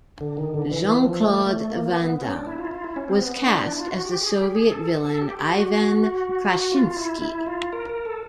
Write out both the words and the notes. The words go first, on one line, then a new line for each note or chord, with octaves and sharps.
Jean-Claude Van Damme was cast as the Soviet villain Ivan Kraschinsky.
D3
D#3
D3
E3
E3
F3
A3
A3
A#3
B3
B3
C#4
D4
E4
F4
E4
F4
E4
C#4
C4
B3
D4
E4
F4
F#4
G4
G#4
G4
G#4
A4
A4
G4
G4
F#4
F4
E4
E4
F4
A#4
A#4
A4